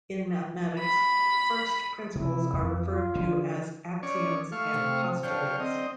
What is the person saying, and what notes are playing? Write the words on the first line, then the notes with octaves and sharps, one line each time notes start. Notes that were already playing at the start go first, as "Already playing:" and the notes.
In mathematics, first principles are referred to as axioms and postulates.
B5
C3 E4
F2
F4
D3
C#4 C#5 D5
A3 F5 C#6
C3
D3 F#3 D4 C#5 F5 G5
C4 D#5